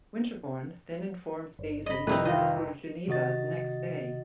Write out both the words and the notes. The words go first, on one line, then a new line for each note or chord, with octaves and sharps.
Winterbourne then informs Daisy that he must go to Geneva the next day.
G1
D#5 B5
C2 F2 C3 D#4 E4 B4
D#3 F4 D#5 G5
C3 D#3 F#4 D#5 A6